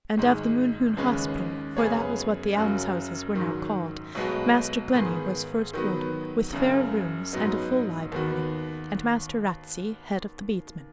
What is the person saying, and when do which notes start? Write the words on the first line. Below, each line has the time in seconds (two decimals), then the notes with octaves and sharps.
And of the Mohune Hospital--for that was what the alms-houses were now called--Master Glennie was first warden, with fair rooms and a full library, and Master Ratsey head of the Bedesmen.
0.17 G#1 G#2 G#3
0.97 D#2 C#3 G#3 C#4 B4
1.77 F#2 C#3 B3 G#4 C#5
2.55 F#1 F#2 C#3 F#3
3.35 G#2 D#3 F#3
4.15 B1 B2 G#3 B3 F#4
4.94 G#2 D#3 B3 G#4
5.73 D#3 F#3 B3
6.53 F#1 F#2 C#3
7.33 G#2 F#3 B3 D#4
8.12 D#2 D#3 B3 F#4